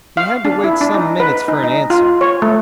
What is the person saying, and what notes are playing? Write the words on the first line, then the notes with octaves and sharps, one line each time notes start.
He had to wait some minutes for an answer.
F5
D4
E4
D4
D#4
B4
D#4
D#4
F4
C#5
A3